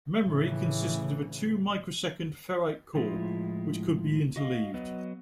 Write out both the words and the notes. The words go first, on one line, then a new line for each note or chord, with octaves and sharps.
Memory consisted of a two-microsecond ferrite core, which could be interleaved.
A2 C#3 E3
A2 F3 G#3 E4 F4
F#4 D#5 F5
F#3 B3 B4 D#5